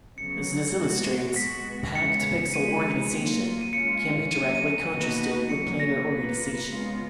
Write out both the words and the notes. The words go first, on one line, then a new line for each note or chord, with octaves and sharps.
As this illustrates, packed pixel organization can be directly contrasted with planar organization.
C#3 F#3 B3 C#7
A#2 F3 G#3 B3 F#4
G#3 B3 F#4 B6
C#3 G#3 B3 C#7
F3 G#3 D#4 G#4 B4 D#7
F#3 A#3 F4
D#7
G#3 C#4 F4 C#7
F#3 A#3 C#4 D#7
D#7
C#7
B2 A#3 D#4 F#4 B4
D#7
F#3 A#3 C#4 C#7
A#6
A#3 F4 B4
C#3 G#3 B3 F4